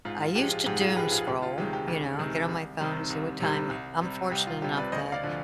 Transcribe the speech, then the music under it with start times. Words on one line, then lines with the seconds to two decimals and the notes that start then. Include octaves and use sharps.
I used to doom scroll, you know, get on my phone, see what time I'm fortunate enough that
0.05 G#2 F4
0.21 F4
0.35 F3 G#3 G4
0.51 F4
0.66 G#2 G4
0.81 F4 G#4
0.96 F3 G#3 G4 B4
1.11 F4 G#4
1.26 D2 G4
1.42 F4
1.58 C3 D#3 G#3 G4
1.73 G4
1.88 D2 G4
2.18 C3 D#3 G#3
2.49 C2
2.80 C3 D#3 G3
3.10 C2
3.40 C3 D#3 G3
3.71 C2
4.01 C3 G3
4.31 C2 G4
4.47 F4
4.62 C3 G3 G4
4.77 B4 D5
4.92 D2 C5 D#5
5.12 D5 F5
5.23 D3 F3